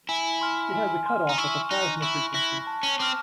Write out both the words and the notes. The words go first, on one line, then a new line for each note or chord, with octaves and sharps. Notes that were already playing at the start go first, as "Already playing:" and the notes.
It has a cut-off at the plasma frequency.
E4 G#5
C6 F6
G#5
C6 F6
D#4
E4 C#6
D#4 F#6 A#6
E4 C#6
E4 F#6 A#6
A5
C#4
C4 D6 F6